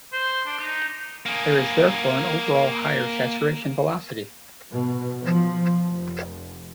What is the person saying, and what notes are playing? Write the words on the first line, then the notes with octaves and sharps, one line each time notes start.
There is therefore an overall higher saturation velocity.
C5
D4
D#4
A#3 G#4
B2
F3
F1